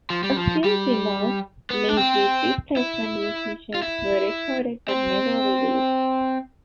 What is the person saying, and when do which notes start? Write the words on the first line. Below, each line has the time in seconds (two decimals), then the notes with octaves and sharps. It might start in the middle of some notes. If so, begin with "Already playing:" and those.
A few demos made with replacement musicians were recorded but never released.
0.10 F3
0.23 G3
0.37 F3
0.64 G3
1.70 B3
1.89 D4
1.97 C4
2.77 E4
3.74 F4
3.82 E4
4.89 C4